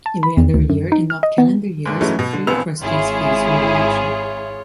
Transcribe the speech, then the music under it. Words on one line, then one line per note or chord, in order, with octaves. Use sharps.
Every other year, in odd calendar years, three trustees face re-election.
A5
B5
E2
D2
F#2
D#4
F6
D#5
B3
B1 G#2
E3 F#3 G#3 A3 C#4 D#4
B2
D3
E1 A#1 B3 C4 E6 F7
G#1 E4 F4 G#4 C#5